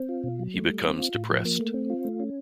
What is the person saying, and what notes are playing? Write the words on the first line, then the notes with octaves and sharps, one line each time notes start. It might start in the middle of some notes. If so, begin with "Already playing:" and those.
He becomes depressed.
Already playing: C4
F4
B2
F#3
A3
G3
C4
F4
A2
F3
A#3
A3
C4
F4
A3
C#4